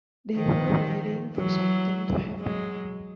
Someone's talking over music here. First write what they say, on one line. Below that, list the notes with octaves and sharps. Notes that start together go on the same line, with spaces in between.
They were waiting for "something to happen".
D#3 F3
E3 F#3
F#3 G#3